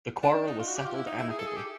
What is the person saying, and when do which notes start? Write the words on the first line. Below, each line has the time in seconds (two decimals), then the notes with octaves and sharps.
The quarrel was settled amicably.
0.23 D4
0.35 D4
0.47 D#4
0.59 F4
0.67 F#4
0.77 G4
0.85 F4
0.94 E4
1.06 D#4
1.18 E4
1.30 G#4
1.39 A4
1.47 G#4
1.55 G4